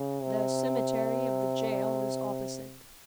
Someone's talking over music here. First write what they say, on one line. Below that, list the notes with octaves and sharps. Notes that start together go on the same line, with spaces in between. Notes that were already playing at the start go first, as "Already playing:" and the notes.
"The cemetery of the jail is opposite."
Already playing: C#3
C3